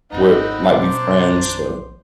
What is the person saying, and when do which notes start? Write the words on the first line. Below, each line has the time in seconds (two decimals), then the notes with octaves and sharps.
where might be friends, so,
0.12 G#1 F2 C4 D#4 F#5 B5
0.71 B2 D4 C5 A#5 D6
1.33 A#1 F#2 D#3